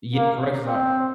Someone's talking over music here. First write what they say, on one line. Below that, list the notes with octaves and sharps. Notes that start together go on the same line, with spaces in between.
yeah, corrections are
A#3
C4